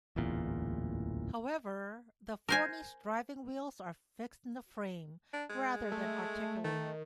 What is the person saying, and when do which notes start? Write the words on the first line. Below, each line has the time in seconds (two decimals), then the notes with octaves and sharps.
However, the Forney's driving wheels are fixed in the frame, rather than articulated.
0.16 D1 A1 E2 A#2
2.49 A#4 C5 G#5
5.33 D4
5.50 G#3
5.92 A3
6.64 D#3 A3